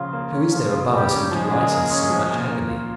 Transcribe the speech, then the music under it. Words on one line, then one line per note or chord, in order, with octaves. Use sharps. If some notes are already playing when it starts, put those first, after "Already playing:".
Who is there above us who delights in so much agony?
Already playing: C#3 F3 A#3 C#4 F4
A#3
C#4
F3 F4
C#3
G3 A#3 G4
C#4
F3 G#3 G#4
C#3
A#3
C#4
F3
A#2
A#3
F4